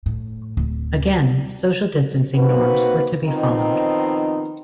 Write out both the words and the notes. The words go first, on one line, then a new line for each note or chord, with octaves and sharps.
Again social distancing norms were to be followed.
A2
D1
A#3 C4 D#4 F#4 B4
D#3 F3 B3 C4 D#4